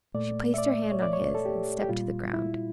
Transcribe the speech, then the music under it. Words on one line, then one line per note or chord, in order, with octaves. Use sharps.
She placed her hand on his, and stepped to the ground.
A#2 A3 D5
E5
D5
C#5
D5
C#5
A4
G4
G4
A#2 G3 F4
E4